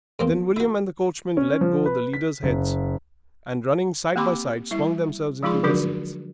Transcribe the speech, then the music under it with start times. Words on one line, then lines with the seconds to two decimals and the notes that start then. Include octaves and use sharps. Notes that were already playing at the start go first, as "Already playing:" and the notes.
Then William and the coachman let go the leaders' heads, and running side by side swung themselves into their seats.
0.19 E2 A#3 C4
0.56 E4 F#4
1.37 C#4
1.61 F3
1.86 B4
2.13 B6
2.43 F#1
4.16 A#3 C4 G4 B5 C6 D6
4.71 G3 E4 E5
5.43 F3 G#3 D#4 F4 G#4 C6
5.63 D3 F3 F#3 D4 F#4 A#4